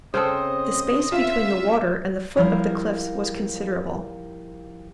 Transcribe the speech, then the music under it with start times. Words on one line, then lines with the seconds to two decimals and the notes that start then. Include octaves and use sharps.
The space between the water and the foot of the cliffs was considerable.
0.14 C#3 C4 A4 C5 D#5
1.12 F4 E5
2.37 F3 G3 E4 A#4 F5